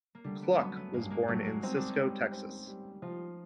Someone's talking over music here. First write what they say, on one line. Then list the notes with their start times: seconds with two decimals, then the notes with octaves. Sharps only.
Cluck was born in Cisco, Texas.
0.15 A#3
0.24 D3 G3 A3
0.42 A3 B3
0.58 F#3 B3 C#4
0.76 A3 B3
0.93 G2 G#3 A#3
1.10 G#3 A#3
1.28 F#3 G3 A3
1.45 G#3 A#3
1.63 C4 D#4
1.76 D4
1.89 C#4 D#4
1.98 G3
2.32 C4
2.67 G3
3.02 F3 D#4 F4